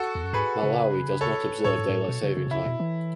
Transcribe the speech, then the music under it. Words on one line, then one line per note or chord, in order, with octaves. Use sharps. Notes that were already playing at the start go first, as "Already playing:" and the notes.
Malawi does not observe daylight saving time.
Already playing: F#4 A4
E2
F#2
G#2 G#4 B4
C#3
A4 C#5
A2 A4 C#5
G#2
G#2
A2
B2
C#3
C#3
B2
C#3 E4
B2
E3